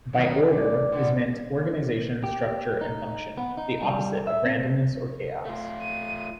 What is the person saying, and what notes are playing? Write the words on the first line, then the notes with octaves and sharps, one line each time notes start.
By 'order' is meant organisation, structure and function: the opposite of randomness or chaos.
F#2 D#3 B3
D5
D3 G3 B3
G4
D#4
B3
D#4
G3
E5
C4
A3 F4
D#7